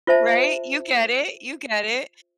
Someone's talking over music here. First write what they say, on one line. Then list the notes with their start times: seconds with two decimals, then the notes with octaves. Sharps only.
Right? You get it, you get it.
0.07 F4 C5 E5 A5